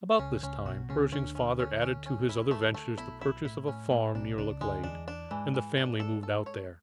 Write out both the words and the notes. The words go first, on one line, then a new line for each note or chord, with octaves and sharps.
About this time Pershing's father added to his other ventures the purchase of a farm near Laclede, and the family moved out there.
C#2 C#3 C#4
C#2 C#3 C#4
B1 B2 F#4
C#2 C#3 C#4
D2 D3 C#4
C#4
C#4
C#4
C#4
E4
A3
A3
B1 B2 E4
B1 B2 E4
A2 E4
A2 C#4
A2 E3
B1 B2 D4
C#2 C#3 D4
D2 D3 G#3
E2 E3 D4
D4
G#2 E3 G#3
E3
D4
A4
A4
C#5